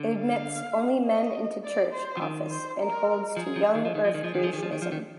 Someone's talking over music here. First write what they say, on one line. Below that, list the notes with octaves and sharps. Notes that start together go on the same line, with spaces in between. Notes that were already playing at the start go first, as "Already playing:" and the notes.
It admits only men into church office and holds to Young Earth creationism.
Already playing: D3
F5
D#5
D5
C5
F3
D#3
C5
A#4
F3 G#4
F3
D#3
F3
D#3 G#4
F3
D#3
F3
D#3
F3
D#3
F3
D#3
F3
D#3